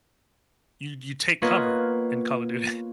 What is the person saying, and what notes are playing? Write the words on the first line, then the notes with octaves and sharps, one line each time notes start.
You you take cover in Call of Duty.
A#3 B3 F4 B4 C#5 D#5